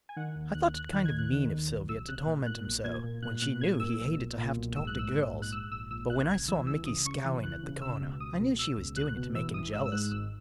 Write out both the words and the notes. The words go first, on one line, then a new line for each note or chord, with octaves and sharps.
I thought it kind of mean of Sylvia to torment him so, when she knew he hated to have to talk to girls, but when I saw Micky scowling at the corner, I knew she was doing it to make him jealous.
G#5
D#3 F#5
D#2
D#2 F#6
D#2 F#6
D#3 F#6
G#6
D#2
F#6
D#3
D#2
B1
B1 E6
B1 F#6
A#2
A#2 F#6
B1
A#2 G#6
A#2
A#2 F#6
A#2 F#6
A#2 G#6
A#2 E6
B1
B1
A#2
B1
G#2 E6
F#6
A#1 E6
A#1
G#2
F#6
G#2 E6
A#1 E6
A#1 E6
A#1 F#6
C#2 G#6
E3 E6
C#2 E6
C#3 D#6
C#3 C#6
E3
C#2 F#6
C#3
C#2 E6
B2
C#2 D#6
B2
B2 E6
C#2
C#2 F#6
B2
E3 E6
G#1 D#6
G#2 E6
E6
G#2 F#6
G#1 E6